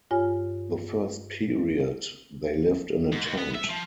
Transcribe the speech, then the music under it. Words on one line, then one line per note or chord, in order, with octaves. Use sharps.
The first period, they lived in a tent.
G2 F4 C#5 G#5 F6
G#2
D#2
B3
E5
F3